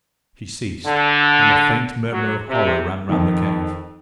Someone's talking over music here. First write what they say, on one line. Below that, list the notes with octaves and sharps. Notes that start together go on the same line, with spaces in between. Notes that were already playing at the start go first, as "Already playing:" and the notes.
She ceased, and a faint murmur of horror ran round the cave.
D3
F#3
C3
F2 D#3